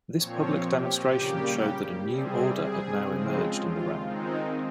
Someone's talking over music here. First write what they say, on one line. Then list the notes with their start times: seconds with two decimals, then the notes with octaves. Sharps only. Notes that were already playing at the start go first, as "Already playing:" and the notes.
This public demonstration showed that a new order had now emerged in the realm.
0.16 A#2 F3 C4 C#5
0.64 G4
1.13 C#3 G3 A#3
2.09 C3 G3 C4 G#4
2.57 G#4
3.06 C#3 F3 G#3 C4
3.54 F4
4.02 D#3 G#3 C4 D#4